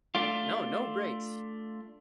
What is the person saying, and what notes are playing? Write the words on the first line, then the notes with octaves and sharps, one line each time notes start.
No, no breaks.
A3 D4 F4